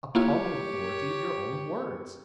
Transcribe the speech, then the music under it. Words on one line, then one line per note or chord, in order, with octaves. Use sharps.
"Upon the authority of your own words."
A#3 E4 F4 G4 C#5